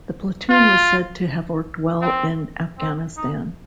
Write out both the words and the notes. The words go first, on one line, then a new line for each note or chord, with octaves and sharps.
'The platoon was said to have worked well in Afghanistan.
F4
C4
C4
D#4